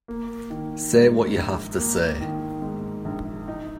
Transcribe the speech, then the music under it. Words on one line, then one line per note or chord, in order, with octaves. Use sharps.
Say what you have to say.
A#3
D#3
G#2
A#1
A#3
D#3
G#2
A#1
D#4